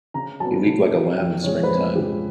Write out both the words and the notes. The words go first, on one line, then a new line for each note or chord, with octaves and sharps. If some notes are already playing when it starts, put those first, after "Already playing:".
He leaped like a lamb in springtime.
C#3 A#5
F#3 B3 A5
C#3
F#3 B3
F2 G5
C#3 F3 G#3 C#5
B4
F2 C5
C#3 F3 G#3 G4